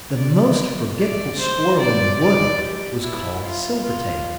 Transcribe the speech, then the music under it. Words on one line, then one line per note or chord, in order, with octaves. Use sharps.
The most forgetful squirrel in the wood was called Silvertail.
D5
D5
C5
D5
D5
G4
E4
F4
F4